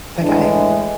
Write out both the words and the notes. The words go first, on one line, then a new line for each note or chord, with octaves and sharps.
like I
A2 E3 G#3 D4